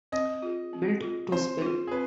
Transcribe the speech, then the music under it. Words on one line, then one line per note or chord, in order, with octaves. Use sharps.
Built to Spill.
C4 D#5
F4 G#4
C4
F4 G#4
C4 C5
F4 G#4
G#4
C4 B4